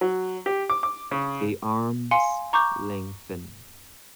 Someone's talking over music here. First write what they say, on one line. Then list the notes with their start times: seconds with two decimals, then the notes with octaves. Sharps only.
The arms lengthen.
0.01 F#3
0.46 G4
0.70 D6
0.83 D6
1.11 C#3
2.11 F5 G#5 C6 C#7
2.53 A#5 C#6 D6 G6